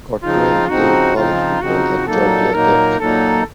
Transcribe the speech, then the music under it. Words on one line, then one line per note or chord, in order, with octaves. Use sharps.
Cottrell played college football at Georgia Tech.
C#3 F3 C4 D#4 F4
C#3 F3 C4 D#4 F#4
C#3 F3 C4 D#4 F4
C#3 F3 C4 D#4 F#4
A#2 F#3 A#3 D#4 A4
A#2 F#3 A#3 D#4 A#4
A#2 F#3 A#3 D#4 A4